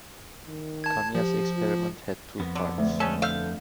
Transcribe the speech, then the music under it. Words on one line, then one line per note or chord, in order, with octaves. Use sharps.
Kamiya's experiment had two parts.
D#3
A5 G#6
F3 G4
F4
F2 B3
D3
D2
G#3 A3 C#4 A4
A4 E5 F5 G6